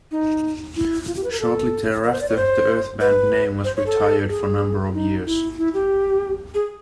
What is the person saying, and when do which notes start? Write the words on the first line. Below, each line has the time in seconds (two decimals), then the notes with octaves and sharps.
Shortly thereafter, the Earth Band name was retired for a number of years.
0.11 D#4
0.76 E4
1.07 F4
1.16 G4
1.24 B4
1.32 A#4
1.40 A4
2.04 A#4
2.12 C5
2.21 D5
2.28 C#5
2.37 C5
3.01 B4
3.64 C5
3.76 C#5
3.86 A4
4.29 G#4
4.94 D#4
5.26 E4
5.58 E4
5.74 G4
6.54 G#4